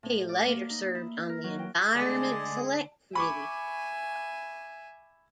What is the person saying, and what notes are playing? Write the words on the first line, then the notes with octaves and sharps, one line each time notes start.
He later served on the Environment Select Committee.
A2
D5
A#3
D#4
E4
A#4
F#3
G5
D3 G#3 A3 G#4 D5
E5 G#5 B5 C#6 D6